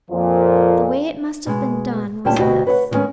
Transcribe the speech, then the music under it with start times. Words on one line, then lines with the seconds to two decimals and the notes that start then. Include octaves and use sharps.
The way it must have been done was this.
0.10 F2 A#2 F3
1.46 B2 G#3
2.25 D2 A#2 G3 C#4 G5 A5
2.38 D2 B2 F#4 G4 D#5
2.67 B4 C#5 D#5 F#5
2.91 D3 D#3 G#3 B3 C#4